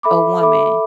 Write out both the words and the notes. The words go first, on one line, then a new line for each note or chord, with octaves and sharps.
a woman
A4 E5 B5 D6
A4 E5 B5 D6